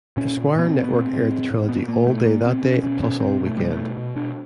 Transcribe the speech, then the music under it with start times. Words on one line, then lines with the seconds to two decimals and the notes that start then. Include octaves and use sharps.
Esquire Network aired the trilogy all day that day, plus all weekend.
0.17 A#2 C#4
0.37 A#2
0.56 A#2 B3
0.69 C4
0.74 A#2
0.84 B3
0.93 A2 C4
1.13 A2
1.31 A2
1.51 A2
1.69 A#2 B3
1.88 A#2 A#3
2.07 A#2 A3
2.26 A#2 A#3
2.45 B2 C4
2.64 B2 C#4
2.84 B2 C#4
3.02 B2 C#4
3.20 B2 C4
3.40 B2
3.46 A3
3.57 B2 G3
3.65 G#3
3.72 A3
3.78 B2
3.97 B2
4.16 B2 D4